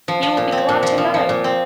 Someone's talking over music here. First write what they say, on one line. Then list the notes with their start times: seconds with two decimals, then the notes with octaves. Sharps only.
He will be glad to know!
0.08 F3
0.23 F3
0.37 A#2
0.52 C4
0.69 A#2
0.82 F3
0.98 F3
1.14 F3
1.29 A#2
1.44 C4